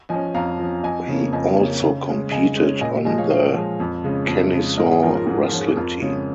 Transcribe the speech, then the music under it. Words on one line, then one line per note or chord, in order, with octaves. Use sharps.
He also competed on the Kennesaw wrestling team.
F3 C#4 D#5 G#5
F2 F5 A#5
F3 C#4
F2 D#5 G#5
C#3 A#3 C#4
F2 D#5 G#5
C#3 A#3 C#4
C#3
G#3 C#4
C#3 D#5 G#5
G#3 C#4
A#2 D#5 G#5
F3 G#3 D#5 G#5
C#5 F5
A#2 C#5 F5
F3 G#3
F2
C#3 G#3 C#4
F2
C#3 G#3 C#4
G#2 A#4 D#5
G#4 C#5
F3 C#4 F4 A#4
F4 A#4
G#2 G#4
F4
F3 C#4
G#4
C#5
F2 F4 A#4
C#3 G#3 C#4 G#4